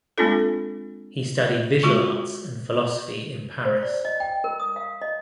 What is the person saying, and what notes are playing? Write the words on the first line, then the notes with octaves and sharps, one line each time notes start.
He studied visual arts and philosophy in Paris.
G#3 A#3 C4 D4 F4 A4
G#3 F4 F#4 C#6
C5
D5
D#5
G5
A#4
D#6
F5
D#5